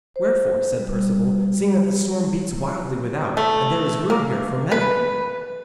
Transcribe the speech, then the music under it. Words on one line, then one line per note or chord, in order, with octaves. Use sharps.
'Wherefore,' said Perceval, 'seeing that the storm beats wildly without and there is room here for many?'
C5
G3
A3
A#3
B4